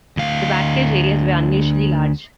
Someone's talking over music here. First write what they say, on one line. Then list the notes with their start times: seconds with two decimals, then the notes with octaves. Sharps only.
The backstage areas were unusually large.
0.17 D2 F5